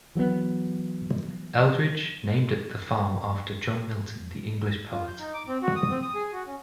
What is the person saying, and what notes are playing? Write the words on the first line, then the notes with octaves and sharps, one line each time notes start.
Eldridge named the farm after John Milton, the English poet.
E3 F#3 G#3 B3
F4
G6
D#4
D6
C4
F#4
D#6
C4
D#6
G#4
F#4
C#4